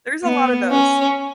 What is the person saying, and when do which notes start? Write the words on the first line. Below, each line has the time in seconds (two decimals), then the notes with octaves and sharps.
There's a lot of those.
0.23 B3
0.70 C#4